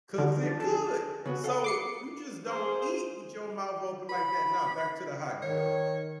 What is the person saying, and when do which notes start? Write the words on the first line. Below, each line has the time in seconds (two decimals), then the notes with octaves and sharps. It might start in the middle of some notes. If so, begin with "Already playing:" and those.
'cause it could. So, you just don't eat with your mouth open like that. Now, back to the hot girl,
0.18 D3 D#3
0.43 F3 D4
0.60 G#4 A4
1.26 C#3 B3 F#4
1.44 A4 F5 F#5
1.64 D6 C7 C#7
2.45 G#4 C5
4.09 B5
5.42 D#3 C#5